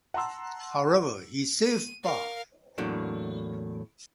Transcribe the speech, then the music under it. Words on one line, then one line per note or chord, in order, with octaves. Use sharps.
However he saved par.
F#5 A5 A#5 C6 E6
D#7
A#4 F5
E2 A2 F#3 A#3 D4